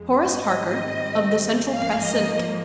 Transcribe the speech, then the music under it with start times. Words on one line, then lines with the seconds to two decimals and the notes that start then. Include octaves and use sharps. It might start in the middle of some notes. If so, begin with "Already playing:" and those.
Horace Harker, of the Central Press Syndicate.
Already playing: F2 G#3
0.28 G#2 D#3 G3 C4 D#5
1.68 G#2 F3 A#3 F5
2.03 D#5